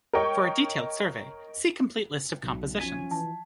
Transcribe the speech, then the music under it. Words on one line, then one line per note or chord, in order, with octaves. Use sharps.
For a detailed survey, see complete list of compositions.
A#4 C#5 D#5 G5 C#6
B1
F3 C#4 G#5 G#6 B6 D#7
E3 A5